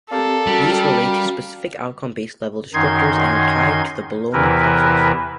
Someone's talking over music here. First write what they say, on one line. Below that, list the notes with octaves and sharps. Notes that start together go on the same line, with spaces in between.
These relate to specific outcome-based level descriptors and are tied to the Bologna Process.
C4 G4 A4 A#4 D5 F5
G3 C#4 F#4
F#2 D#3 D#4 C6 G#6
E2 C3 E3 E4 A#4 B4